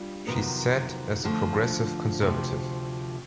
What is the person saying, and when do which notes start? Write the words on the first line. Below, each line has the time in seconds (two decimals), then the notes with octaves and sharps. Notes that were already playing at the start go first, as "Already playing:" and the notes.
She sat as a Progressive Conservative.
Already playing: G3 D4 F4
0.27 F2 C3 D#3 F#3 B3
1.24 D3 F3 A3 C4
2.21 D2 C3 F3